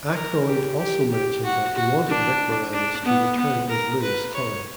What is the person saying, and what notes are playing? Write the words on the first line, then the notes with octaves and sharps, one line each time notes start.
Aykroyd also mentioned that he wanted Rick Moranis to return as Louis Tully.
A#4
G4
G4
G4
F#4
F#4
D4
D4
B3
B3
A#4
B4
C#5